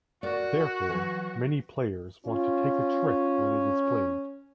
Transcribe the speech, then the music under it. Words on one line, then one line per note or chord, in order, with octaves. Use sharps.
Therefore, many players want to take a trick when it is played.
F#4 A#4 D5
E3 F#3
C#4 F4